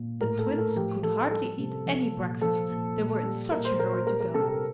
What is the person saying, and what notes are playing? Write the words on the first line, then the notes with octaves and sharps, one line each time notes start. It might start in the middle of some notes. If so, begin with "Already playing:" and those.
The Twins could hardly eat any breakfast, they were in such a hurry to go.
Already playing: A#2
A2 A#4
A4
A2
A4
F3 G4
F3 A4
G3 A4
C3
F3
A#2
F3 A4
A#2
A#2
G3
A#2 A#4
C5
A#2 A#4
C5
G3 A#4
A#4
C3 A4
G4
A4